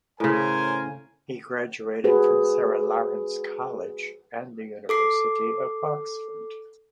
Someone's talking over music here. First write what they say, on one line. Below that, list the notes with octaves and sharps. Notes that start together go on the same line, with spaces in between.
He graduated from Sarah Lawrence College and the University of Oxford.
A2 C#3 A#4 C5 G#5
F#4 G#4 B4 C5
A4 D6 C7